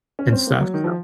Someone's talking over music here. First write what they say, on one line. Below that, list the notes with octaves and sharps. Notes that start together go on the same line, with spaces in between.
and stuff, so
C#4
C4
A#3
F#3
D#3
F3